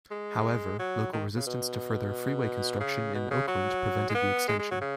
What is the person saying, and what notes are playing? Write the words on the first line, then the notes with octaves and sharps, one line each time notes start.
However, local resistance to further freeway construction in Oakland prevented the extension.
G#3
F#3
D#3
C#3
B2
C#3
B2
C#3
F#3
G#3
B3
G#3
G#3
F#3
C#3